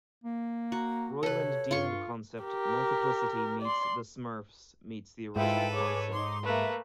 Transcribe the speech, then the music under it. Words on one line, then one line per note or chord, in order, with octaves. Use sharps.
Roiland deemed the concept "Multiplicity" meets "The Smurfs" meets the original concept.
A#3
F#4 A#5
C3 A4 B4 C#5
G2 F4 C6 C#6
G4 A#4
D5 C6
G#2 E4 F4 A4 B4 G5
G#4 C#5 D6
D#4 C6 D6
A3 A#3 B4 E5